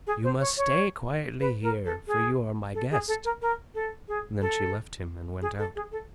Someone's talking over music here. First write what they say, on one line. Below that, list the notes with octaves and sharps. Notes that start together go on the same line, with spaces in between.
"You must stay quietly here, for you are my guest." Then she left him and went out.
G#4
C5
C#5
C#5
B4
A#4
A4
G#4
A4
G#4
A4
A#4
A#4
A4
G#4
A4
G#4
A4
G#4
A4